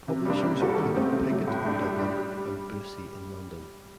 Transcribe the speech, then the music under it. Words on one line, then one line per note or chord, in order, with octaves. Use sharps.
Publishers included Pigott in Dublin and Boosey in London.
C3
G3 A#3 D4
C3
G3 A#3 F#4 A4
D#3
A3 C4 G4
C3
F#3 A3
A2
A3 D4 G4
G3
D4 G4
G3